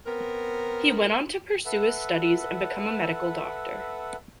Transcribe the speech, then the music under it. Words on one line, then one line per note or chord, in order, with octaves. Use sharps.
He went on to pursue his studies and become a medical doctor.
B3 C4 A#4
A4 B4 E5 F#5